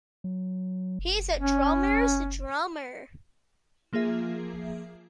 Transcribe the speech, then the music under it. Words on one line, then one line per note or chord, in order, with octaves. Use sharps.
He's a drummer's drummer.
F#3
F#1
C#4
F3 A#3 F4 G#4 E5